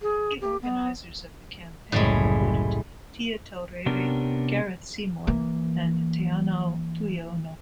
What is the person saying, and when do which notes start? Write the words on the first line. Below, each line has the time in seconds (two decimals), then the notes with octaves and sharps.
Key organisers of the campaign included Tia Taurere, Gareth Seymour and Teanau Tuiono.
0.02 G#4
0.41 G4
0.62 B3
1.92 F#1 C2 A2 G3 G#3
3.86 C3 B3 C#4 D4 G4 A#4
5.27 E3 A#3